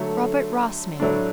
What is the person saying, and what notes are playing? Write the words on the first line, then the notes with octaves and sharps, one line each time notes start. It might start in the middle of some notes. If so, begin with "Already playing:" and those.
"Robert Ross, ma'am."
Already playing: D3 F#3 A3
A2 F#3 A3 D4